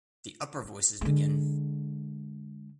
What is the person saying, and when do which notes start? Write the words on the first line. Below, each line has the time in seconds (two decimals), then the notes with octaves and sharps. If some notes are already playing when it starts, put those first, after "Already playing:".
The upper voices begin.
1.01 D3 G#3